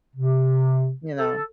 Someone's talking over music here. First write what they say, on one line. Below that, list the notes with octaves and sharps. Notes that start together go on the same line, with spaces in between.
you know,
C3
A4